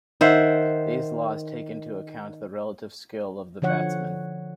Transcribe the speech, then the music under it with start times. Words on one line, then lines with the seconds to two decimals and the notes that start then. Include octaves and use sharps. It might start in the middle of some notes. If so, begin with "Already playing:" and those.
These laws take into account the relative skill of the batsmen.
0.21 D#3 C5 E5 F#5
3.62 D3 F3 C#5 F#5